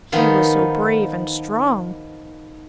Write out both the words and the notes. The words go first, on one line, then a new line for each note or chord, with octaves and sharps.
He was so brave and strong!
D#3 F3 B3 D#4